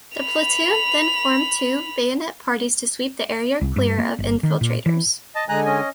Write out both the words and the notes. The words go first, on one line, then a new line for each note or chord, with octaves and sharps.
The platoon then formed two bayonet parties to sweep the area clear of infiltrators.
B5 F7
C2
G2
A#3
G1
D#3
A#2
E3
D#5 A5
D3 G#3 G#5 A#5 F#6
C#4 D#5